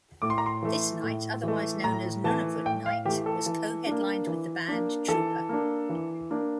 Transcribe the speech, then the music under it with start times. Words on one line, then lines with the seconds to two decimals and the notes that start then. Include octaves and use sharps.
This night, otherwise known as "Nunavut night", was co-headlined with the band Trooper.
0.22 A2 D6
0.30 C6
0.38 A#5
0.46 C6
0.63 E3 A3
1.03 A2
1.43 E3 A3
1.84 A2 A#5
2.24 E3 A3 A5
2.65 A2 G5
2.86 F5
3.05 E3 G4
3.09 A3
3.26 A4
3.46 E3
3.87 A#3 D4
4.27 E3
4.68 A#3 D4
5.08 E3 A4
5.49 A#3 D4
5.89 E3
6.31 A#3 D4